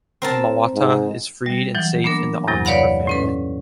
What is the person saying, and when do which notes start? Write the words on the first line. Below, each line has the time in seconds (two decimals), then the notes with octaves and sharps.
Mawata is freed and safe in the arms of her family.
0.22 C4 A#4 A5
0.75 G#2
1.46 G3
1.75 E3 F#3
2.04 A#3 B3 D4 A#4
2.48 E2 G2 C3 F#3
2.65 B4 C#5 D5 F5 F#5 B5
3.07 A2 C#4 B4